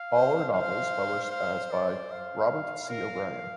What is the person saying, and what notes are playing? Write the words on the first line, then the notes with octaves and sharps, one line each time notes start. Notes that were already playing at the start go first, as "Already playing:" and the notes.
All are novels published as by Robert C. O'Brien.
Already playing: F5
C5
C5 F5
F5
D5
F5
A#4 F5